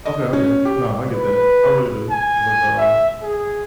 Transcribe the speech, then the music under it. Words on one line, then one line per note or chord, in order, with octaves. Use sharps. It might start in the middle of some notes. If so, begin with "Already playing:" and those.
Okay, okay, no, I get that, I really do. It's, like, uh
D#5
C#4
G4
B4
G#5
E5
G#4